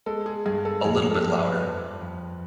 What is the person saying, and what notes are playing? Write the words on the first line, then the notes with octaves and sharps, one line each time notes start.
A little bit louder.
G#3 A4
G#4
G2 G#4
A4
F2 G#4
A4
F2
B4
F2
F2